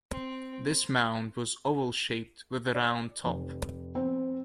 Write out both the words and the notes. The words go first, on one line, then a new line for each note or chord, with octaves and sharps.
This mound was oval shaped with a round top.
C4
D5
F1
C4